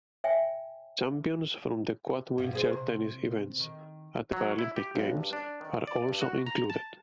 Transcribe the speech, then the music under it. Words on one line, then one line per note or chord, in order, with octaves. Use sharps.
Champions from the quad wheelchair tennis events at the Paralympic Games are also included.
C#5 E5 G5 G#5
G2 B2
C4 G#4 C5
C3
D#3
F#3
E4
G4
B1
G2
D4
D#3
D5
G2
F#4
A#5
A5